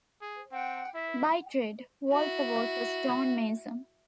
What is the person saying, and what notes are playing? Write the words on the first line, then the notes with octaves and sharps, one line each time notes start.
By trade, Walter was a stonemason.
G#4
C4 F#5 G5
E4 E5
E4 F#4